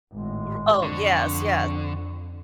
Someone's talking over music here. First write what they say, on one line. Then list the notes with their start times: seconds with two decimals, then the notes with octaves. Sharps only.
R Oh, yes. Yes.
0.14 G#1 A2 G#3
0.83 F2 D3 C#6